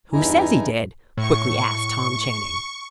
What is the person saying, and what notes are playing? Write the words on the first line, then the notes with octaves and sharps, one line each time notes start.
"Who says he did?" quickly asked Tom Channing.
E2 G2 D#4 E4 G#5 A#5
A2 C#6